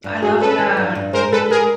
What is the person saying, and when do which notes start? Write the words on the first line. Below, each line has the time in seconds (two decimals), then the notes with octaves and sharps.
I love that.
0.04 G2
0.22 G#3 F#4 G#4
0.40 C#4 A4 B4
0.59 E3
0.77 G2
0.95 G2
1.13 G#3 A#4 C5
1.32 G#3 A4 B4
1.50 G#3 G#4 A#4